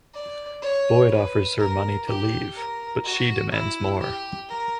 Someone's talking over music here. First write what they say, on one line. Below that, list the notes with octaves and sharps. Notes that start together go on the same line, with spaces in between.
Boyd offers her money to leave but she demands more.
D5
C#5
B4
A#4
G4
A#4
F#4
E4
G4
A#4